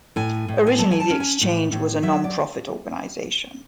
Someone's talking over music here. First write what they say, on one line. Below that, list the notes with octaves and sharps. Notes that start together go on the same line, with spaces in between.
Originally, the exchange was a non-profit organization.
A2 G#5
A2
G#5
F#3 A5
G#5
A5
C#4
G#5
A2
A2
F#3 E5
D5